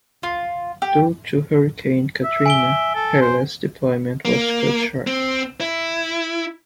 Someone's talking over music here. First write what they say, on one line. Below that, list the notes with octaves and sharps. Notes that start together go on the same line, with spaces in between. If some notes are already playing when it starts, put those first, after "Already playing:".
Due to Hurricane Katrina, her last deployment was cut short.
F4
G4
E5
G#5 D7 G7
A4
C5
A#3
C4
E4